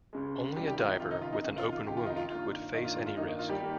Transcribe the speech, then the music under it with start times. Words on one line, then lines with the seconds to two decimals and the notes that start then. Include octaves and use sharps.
Only a diver with an open wound would face any risk.
0.13 C#2 C#3 G#3
0.56 C#2 C3 D#3 G3 G4
0.67 G3 G4
0.79 F4
0.89 D#4
1.00 C#2 C3 D#3 F4
1.11 D#4
1.22 F4
1.33 D#4
1.43 C#2 C3 D#3 D#4
1.58 F4
1.73 F4
1.87 C#2 C3 D#3 G4
1.97 F4
2.06 D#4
2.17 F4
2.30 G2 D#3 A#3 F4
2.73 G2 D#3 A#3 D#4
2.84 F4
2.95 F4
3.06 F4
3.17 G2 D#3 A#3 D#4
3.28 D#4
3.39 F4
3.49 G3 G4
3.62 D#3 A#3